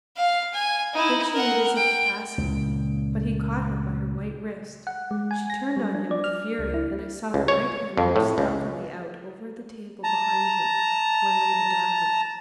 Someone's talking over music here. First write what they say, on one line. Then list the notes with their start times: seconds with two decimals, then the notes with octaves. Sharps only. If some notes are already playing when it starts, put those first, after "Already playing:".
Then she made as if to pass him, but he caught her by her white wrist; she turned on him with fury, and I saw her right hand reach stealthily out over the table behind her, where lay the dagger.
0.16 F5
0.53 G#5
0.94 D#4 E4
1.33 A#4 F#5
1.76 G5
2.38 C#2 A#2
4.87 F#5
5.11 G#3
5.31 G#5
5.50 A#6
5.77 G3
5.95 D4
6.11 D5
6.24 F6
6.59 C#2
6.74 E4
7.34 C#2
7.48 C#5
7.97 F2
8.16 A2
8.38 C#2
10.04 A5 A#5